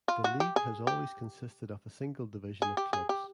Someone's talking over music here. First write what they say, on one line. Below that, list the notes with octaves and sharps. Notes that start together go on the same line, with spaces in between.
The league has always consisted of a single division of clubs.
F4
F#4
G4
G#4
G4
G#4
G4
G#4
G4